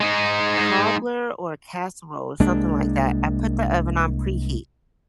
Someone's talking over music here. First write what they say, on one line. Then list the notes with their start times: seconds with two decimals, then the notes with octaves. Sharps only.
cobbler, or a casserole, or something like that, I put the oven on preheat.
0.01 G#3 D#4
2.40 C2 G#3 A#3 D4